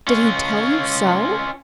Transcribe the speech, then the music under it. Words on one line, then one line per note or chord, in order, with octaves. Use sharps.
"Did he tell you so?"
C#4 F4